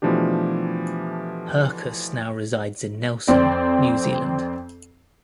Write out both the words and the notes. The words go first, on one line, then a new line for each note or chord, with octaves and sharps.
Hercus now resides in Nelson, New Zealand.
B2 E3 F3 A3 D4 G4
F2 C4 D5